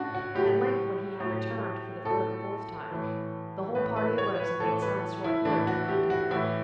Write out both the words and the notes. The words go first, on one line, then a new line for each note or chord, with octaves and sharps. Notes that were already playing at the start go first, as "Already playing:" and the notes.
At length, when he had returned for the third or fourth time, the whole party arose and made signs to our hero to accompany them.
Already playing: A2 C#4 D4 F#4
F#4
A2 F#3 G4
A2 F#3
A2 F#3 A4
A2 E3
A2 E3 B4
B4
C#5
B4
A2 E3 A4
B4
E4
A2 E3 D4
F#4
G4
F#4
A2 E3 E4